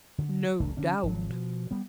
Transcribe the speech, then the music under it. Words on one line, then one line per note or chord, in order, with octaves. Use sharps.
"No doubt."
D3
E1 C2 A3
D3 C#4 D4
G#1 F3 F#3
B2 F3
G3 B3